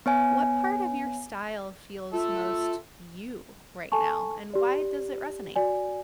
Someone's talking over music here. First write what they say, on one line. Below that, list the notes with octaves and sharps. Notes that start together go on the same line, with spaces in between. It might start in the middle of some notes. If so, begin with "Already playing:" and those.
What part of your style feels most you right now, and why does it resonate?
B3 C#5 G#5
F4 A4 E5
A4 G#5 A5 C#6
G4 D5
F#4 D5 G#5